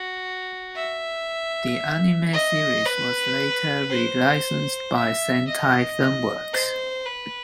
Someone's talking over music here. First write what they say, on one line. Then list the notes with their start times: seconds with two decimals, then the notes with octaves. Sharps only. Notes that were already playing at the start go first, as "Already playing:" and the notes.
The anime series was later re-licensed by Sentai Filmworks.
Already playing: F#4
0.76 E5
2.33 D#5
2.86 B4
3.90 C5
4.96 E5
5.48 D#5
6.53 C5
7.06 B4